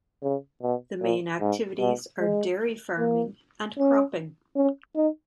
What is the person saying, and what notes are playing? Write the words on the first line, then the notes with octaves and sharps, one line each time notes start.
The main activities are dairy farming and cropping.
C#3
B2
A#2
G#2
B2
G#3
A#3
C#4
C#4
D#4